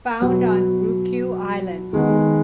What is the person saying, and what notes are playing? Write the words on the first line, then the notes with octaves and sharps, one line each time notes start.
Found on Ryukyu Islands.
B2 F#3 B3
D#3 G#3 B3